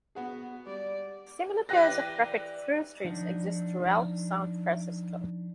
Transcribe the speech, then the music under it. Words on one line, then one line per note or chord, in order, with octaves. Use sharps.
Similar pairs of rapid through-streets exist throughout San Francisco.
B3 F#4 G#4
G3 D5
E3 G4 B4 D5 F#6 A#6
F3 D4 D#4 F#5